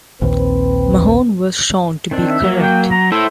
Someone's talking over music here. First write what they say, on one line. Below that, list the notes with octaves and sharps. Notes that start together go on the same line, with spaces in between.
Mahon was shown to be correct.
A#1 D#2 C4 B4
D#3 C4 D4
E5
F#3 A#3
G5
A#5
E4 A4 C5 E5